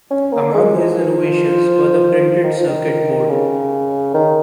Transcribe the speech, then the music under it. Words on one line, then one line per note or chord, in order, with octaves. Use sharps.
Among his innovations were the printed circuit board.
C#4
A#3
G#3
F3
D#3
F3
D#3
C#3
D#3